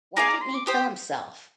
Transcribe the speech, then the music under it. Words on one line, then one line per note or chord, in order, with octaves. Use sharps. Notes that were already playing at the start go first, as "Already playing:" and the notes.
Why didn't he kill himself!
D#4 G#4 D5 F5 G#5
A#5
C6
D6
G4 C5 G5 D#6